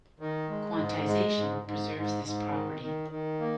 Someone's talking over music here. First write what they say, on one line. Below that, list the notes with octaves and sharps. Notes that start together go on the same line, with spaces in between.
Quantization preserves this property.
D#3
G#3
G#2
G#3
G#2
G#2
G#2
G#2
D#3
D#3
D#3
A#3